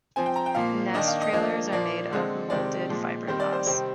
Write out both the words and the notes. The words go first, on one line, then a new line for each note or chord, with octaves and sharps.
Nest trailers are made of molded fiberglass.
F3 C4 G#5
G5
A#5
G5
A#2 F3 A#3 F5
D#3 A#3 D4 D#5
F5
D#5
F3 A#3 D4
A#2 F3 A#3 D5
D3 G#3 C4
C3 D#3 G#3 C4 D5
A#2 F3 G#3
D#3 G3 C4 C5
D5
C5
C3 D#3 G3 C4